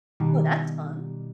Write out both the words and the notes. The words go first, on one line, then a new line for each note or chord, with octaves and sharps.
Oh, that's fun.
B2 D#3 G3